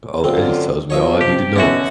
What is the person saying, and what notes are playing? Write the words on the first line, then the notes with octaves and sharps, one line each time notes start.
Oh, that just tells me all I need to know.
F#2 D3 C4 F4
B2 F3 C#5 D#5 E5
C3 G4
B2 D3 E3 C#4 F#4 C#5 D#5 E5